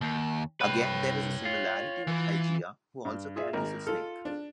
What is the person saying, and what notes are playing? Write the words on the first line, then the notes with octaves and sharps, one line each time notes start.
Again there is a similarity with Hygeia, who also carries a snake.
D#2
C2 B4 C#5 G5
F4
E3
G2
F4 G#4 E5
G#1 A#4 A#5
F4 A4 F6
D4